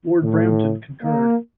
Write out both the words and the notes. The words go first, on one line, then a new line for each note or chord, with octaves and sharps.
Lord Brampton concurred.
A2
A#3